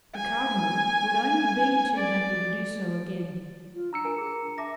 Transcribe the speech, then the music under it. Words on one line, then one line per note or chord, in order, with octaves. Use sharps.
The cardinal would only be too happy to do so again.
G#5
D5
F4
D4 A#5 E6 C#7
A#4 G#5
G#4
E5 A5 D6 A#6